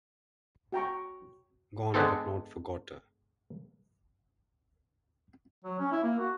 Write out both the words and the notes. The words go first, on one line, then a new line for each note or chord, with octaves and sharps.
Gone but not forgotte.
F#4 G5 A#5 C#6
D3 G#3 B3 C4 A4
F#3
C#4
E4
A#3
F#4